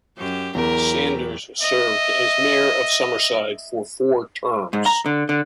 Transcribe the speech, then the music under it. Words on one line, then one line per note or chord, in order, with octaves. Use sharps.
Saunders served as mayor of Summerside for four terms.
F#2 G4
E2 F#3 E4 G4 A#4
D#5 E5
G#2
A#5
D3
D3